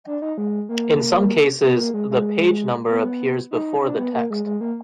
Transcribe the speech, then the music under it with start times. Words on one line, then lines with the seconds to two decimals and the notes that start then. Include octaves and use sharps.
In some cases, the page number appears before the text.
0.07 D4
0.22 D#4
0.38 G#3
0.69 A#3
1.63 B3
1.79 A#3
1.94 G#3
2.10 G#3
2.89 B3
3.51 D#4
3.83 D4
3.98 B3
4.14 A#3
4.30 G#3
4.45 G#3
4.61 A#3